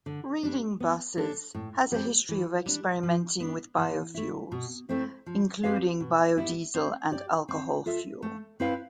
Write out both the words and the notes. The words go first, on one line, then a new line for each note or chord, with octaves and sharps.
Reading Buses has a history of experimenting with biofuels, including biodiesel and alcohol fuel.
D3
G3 D4
B3
D4 A4
A2
G3 C4
E3
G3 D4
F3
B3 D4
E3
A3 E4
B2
A3 C4 E4
F3
C4 G4 B4 F5
B2
G3 B3 E4
C4
G4 D5
C4
F4 A4 E5
A3
C4 E4 B4 F5